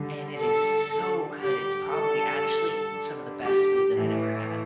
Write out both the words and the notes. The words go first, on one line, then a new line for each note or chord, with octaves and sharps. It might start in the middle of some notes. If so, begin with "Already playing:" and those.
and it is so good. It's probably actually some of the best food that I'd ever had.
Already playing: D3 G3
A4
D3 G3
G4
D3 G3 A4
D3 G3
G4
A2 E3 A3